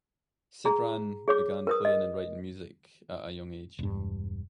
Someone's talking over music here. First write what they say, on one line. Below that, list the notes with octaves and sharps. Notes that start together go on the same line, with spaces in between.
Sidran began playing and writing music at a young age.
G#4 A#5
G#4 C#5 D6
A#4 B4 D#6
D#5
E1 G2